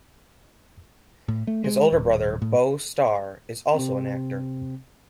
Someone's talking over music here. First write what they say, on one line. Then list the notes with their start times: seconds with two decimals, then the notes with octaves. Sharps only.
His older brother Beau Starr is also an actor.
1.28 A2
1.47 A3
1.64 G#3
1.92 D#1
2.42 A2
3.75 C3 C4